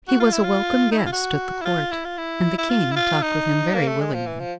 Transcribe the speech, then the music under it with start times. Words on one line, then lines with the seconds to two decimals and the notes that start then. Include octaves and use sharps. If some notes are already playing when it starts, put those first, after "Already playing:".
He was a welcome guest at the Court, and the King talked with him very willingly.
0.08 F#4
0.20 F4
0.33 E4
0.44 F4
0.92 D#4
0.99 E4
1.06 F4
1.13 F#4
1.62 E4
1.65 F4
1.92 E4
2.05 F4
2.18 E4
2.58 E4
2.70 F4
2.91 E4
2.96 F4
3.22 D#4
3.75 A#3
3.88 A3
4.01 G#3
4.14 F3
4.27 E3
4.40 F3